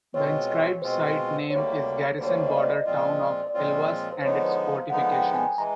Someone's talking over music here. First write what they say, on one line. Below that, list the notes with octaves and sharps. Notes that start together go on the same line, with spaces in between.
The inscribed site name is Garrison Border Town of Elvas and its Fortifications.
B2 G#3 C4 F4 C#5
B2 G#3 C4 F4 C5
D2 D3 G3 A#3 C#5
D2 D3 G3 A#3 C5
C#5
C5
D#5
D5
D#5
A#2 F3 G#3 C4 F4 D5
D5
A#2 F3 G#3 C4 F4 C#5
C5
D3 F3 G#3 B3 D#4 C#5
C5
F5
D3 F3 G#3 B3 D#4 F#5
G5
G#5
E3 G#3 A#5